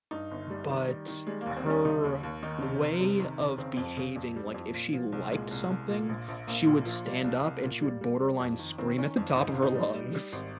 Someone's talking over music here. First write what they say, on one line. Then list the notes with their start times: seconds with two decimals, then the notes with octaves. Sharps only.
but her way of behaving, like, if she liked something, she would stand up and she would borderline scream at the top of her lungs.
0.11 G2 D#4
0.31 G1
0.50 G3
0.70 D#3
0.88 G3
1.08 D#3
1.27 G3 G#3
1.41 D#2 A#3
1.57 C4
1.66 G3 C#4
1.85 C#3 D#4
2.04 D#2
2.23 D#2
2.43 D#3 D#4
2.62 C3
2.82 F1
3.01 C3
3.20 D#3
3.39 F1
3.58 C#3 C4
3.77 F2
3.97 C#3
4.16 F2
4.36 G3
4.54 F2
4.74 A#2
4.93 F3
5.12 C2
5.32 A#2 G#3
5.51 C2
5.70 C2
5.90 A#2
6.09 A#1
6.28 A#1
6.47 A#1 A#3
6.67 A#2
6.86 F3
7.05 G3
7.24 C2
7.43 C2
7.63 A#2
7.82 G3
8.01 G3
8.20 G3
8.40 F2
8.59 D#3
8.78 D#3 C4
8.98 D#3 C#4
9.17 F2
9.36 G#1 D#4
9.49 F4
9.55 G#1
9.62 D#4
9.74 G3
9.94 G3
10.13 G3
10.33 G#1